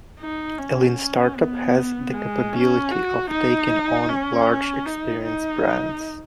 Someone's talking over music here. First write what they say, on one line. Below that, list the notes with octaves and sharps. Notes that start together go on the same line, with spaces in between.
A lean startup has the capability of taking on large experienced brands.
D#4
C#4
B3
G#3
C#4
F#4
D#4
C#4
D#4
D#4